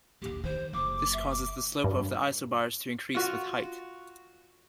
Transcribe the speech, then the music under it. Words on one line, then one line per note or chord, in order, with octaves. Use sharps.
This causes the slope of the isobars to increase with height.
A#1 D#2 G4
D#3 C5
F#1 D6
E5
D6
G2
F4 F#4